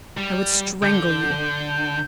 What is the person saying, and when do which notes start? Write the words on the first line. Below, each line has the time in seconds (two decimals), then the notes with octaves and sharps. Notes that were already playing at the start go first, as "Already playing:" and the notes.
"I would strangle you."
0.17 G3
0.82 D3 G6